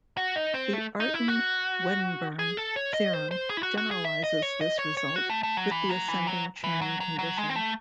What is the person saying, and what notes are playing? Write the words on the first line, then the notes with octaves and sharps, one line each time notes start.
The Artin-Wedderburn theorem generalises this result, with the ascending chain condition.
F#4
D#4
C4
A3
D#4
E4
F#4
G#4
A4
C#5
D#5
C5
C5
G#4
E4
F#4
F#4
G#4
E5
D#5
C#5
D#5
C#5
C#5
F#4
A3
A3
F#3
E3
F#3
E3
F#3
E3
F#3
F#3
F#3
G#3
C4
A3